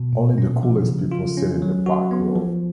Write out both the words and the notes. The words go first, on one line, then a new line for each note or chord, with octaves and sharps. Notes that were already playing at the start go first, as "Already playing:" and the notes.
Only the coolest people sit in the back row.
Already playing: B2
A#2
C#4
F3
C#3
F4
C#4
F#3
F#4
B3
F3